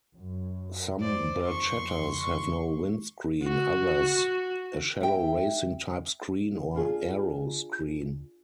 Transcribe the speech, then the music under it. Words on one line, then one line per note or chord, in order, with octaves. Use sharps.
Some barchettas have no windscreen; others, a shallow racing-type screen or aero screen.
F#2
C5 D5
F2 C6 C#6
F#4
E5 G5
D4 F4 G#4